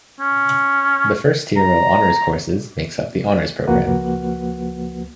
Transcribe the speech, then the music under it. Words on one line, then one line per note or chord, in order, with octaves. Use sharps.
The first tier of Honors courses makes up the Honors Program.
C#4
A#5
C#2 F3 A#3 F#4 B4 F#5